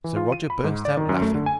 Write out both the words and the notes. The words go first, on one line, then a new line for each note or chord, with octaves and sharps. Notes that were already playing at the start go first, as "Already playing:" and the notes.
So Roger burst out laughing.
E3
F4
D#7
B5
G#2
D5
D#3
F#2
A3
D3
G#5